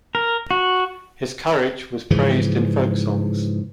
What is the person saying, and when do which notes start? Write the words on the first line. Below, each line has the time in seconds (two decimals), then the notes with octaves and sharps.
His courage was praised in folk songs.
0.15 A#4
0.51 F#4
2.10 G#2 C#3 E3 F3